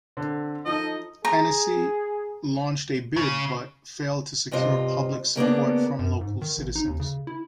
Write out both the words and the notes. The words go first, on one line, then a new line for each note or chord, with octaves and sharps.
Annecy launched a bid, but failed to secure public support from local citizens.
D3 C4
F3 D#4 A4 D#5
G#4 A#5
C#3
G2 C3 C4 F4 D#5
C#3 A#3 B3 D4
F#2
G#2
D#3
A1
D#4
D#2
C#3
E4